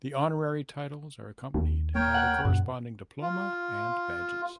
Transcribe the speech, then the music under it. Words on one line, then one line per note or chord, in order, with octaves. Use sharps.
The honorary titles are accompanied by the corresponding diploma and badges.
D#2
A#3 A#4 C#5 G5
F#5
F#2 A#2 C#3
F4